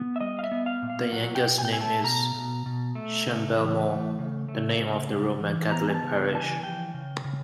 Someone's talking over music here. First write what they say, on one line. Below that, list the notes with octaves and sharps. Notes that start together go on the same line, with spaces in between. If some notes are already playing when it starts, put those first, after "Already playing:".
The youngest name is Shanballymore, the name of the Roman Catholic parish.
Already playing: B3
E5
G3 D#5
F5
E5
B3
F5
A#2
F5
F#3 F#5
G5
B2
G#5
G5
A3 G#5
A5
B2 A#5
B2
B2
A3
C#3
E3
A3
C#3
A3
C#3
G3
E3
B3 A#5
G#5
A5
C#3
E3 A5
G#5
F3 G5
C#3
C#3